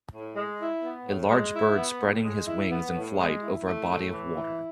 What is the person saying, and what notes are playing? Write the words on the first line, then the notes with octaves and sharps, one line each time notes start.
A large bird spreading his wings in flight over a body of water.
A2
G#3
E4
B3
A2
G#3
E4
B3
A2
G#3
E4
B3
A2
G#3
E4
A3
A2
E3
E4